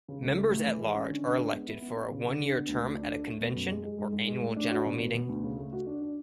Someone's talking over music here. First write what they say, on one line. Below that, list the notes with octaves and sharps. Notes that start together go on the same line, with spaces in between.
Members-at-Large are elected for a one-year term at a Convention or Annual General Meeting.
C#3
C#2
A3
A2
E3
G#3
C#4
D3
D4
G#3
B3
E4
B3
B3
C#3
C#3
D3
B3
D2
D2
D4
A4
A3
B2
F#2
G#3
G#3
G#2
G#2
G#3
A2
D4
F#4
B2
B2
B2
D2
C#3
A3
F#4
D4
D4